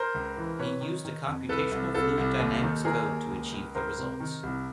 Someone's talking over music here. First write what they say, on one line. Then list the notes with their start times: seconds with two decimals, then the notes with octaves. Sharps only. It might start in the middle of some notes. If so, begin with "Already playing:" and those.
He used a computational fluid dynamics code to achieve the results.
Already playing: A#4 C5
0.14 C#2
0.37 E3
0.59 C3 B4 C#5
0.81 D#3
1.05 D#3
1.27 F2
1.49 C2 A4 B4
1.71 C2
1.94 C2 A4
2.18 C2
2.39 D#2
2.62 D#3
2.85 D#2 G#4 A#4
3.08 D#2
3.30 C#2
3.52 C#2
3.75 C#2 A#4 C5
3.98 C3
4.20 D#3
4.43 C2